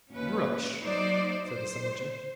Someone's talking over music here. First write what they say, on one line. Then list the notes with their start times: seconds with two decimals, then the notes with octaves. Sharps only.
"Rubbish!" said the soldier.
0.10 D#2 C#4 B4
0.83 F#3 A#3 D#4 C5 D5
1.48 C5